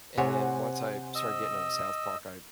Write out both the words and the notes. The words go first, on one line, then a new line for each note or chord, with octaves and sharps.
and then once I started getting into South Park, I
C3 C5 C#5 F#5 G#5
D#5 E6